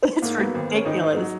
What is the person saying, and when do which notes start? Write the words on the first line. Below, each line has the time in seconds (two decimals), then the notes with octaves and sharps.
It's ridiculous.
0.22 G#2 A#3
0.38 F#3 B3
0.54 G#1
0.70 A#3 C#4
0.85 G#1 D#4
1.02 G#2
1.17 F#3